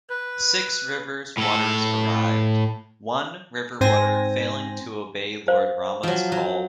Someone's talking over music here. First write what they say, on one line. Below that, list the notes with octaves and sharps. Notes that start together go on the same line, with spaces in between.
Six rivers waters arrived, one river water failing to obey Lord Rama's call.
B4
A2 A4
G#2 C4 C5 G#5 A#6
C5 F5
F3 F#3
F#3